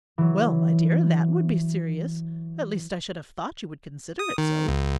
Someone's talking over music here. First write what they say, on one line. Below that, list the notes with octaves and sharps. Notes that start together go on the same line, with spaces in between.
"Well, my dear, that would be serious; at least I should have thought you would consider it so."
E3 F#3
D#6
D#3
C#2